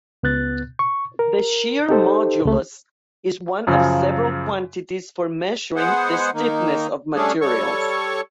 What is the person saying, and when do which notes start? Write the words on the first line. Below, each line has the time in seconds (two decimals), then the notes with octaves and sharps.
The shear modulus is one of several quantities for measuring the stiffness of materials.
0.23 C#2 B3 F#6 A6
0.79 C#6
1.19 A#4
1.89 D#4 G4 A4 C5
2.45 C#2 A3
3.67 F#2 C#3 F3
5.76 G#3 B3 G#4 C5 F#5
6.34 D#3 A#3 D#4
7.15 G3 A3 C#4 D4 G#4 A4
7.41 G3 A4 C#5 C#6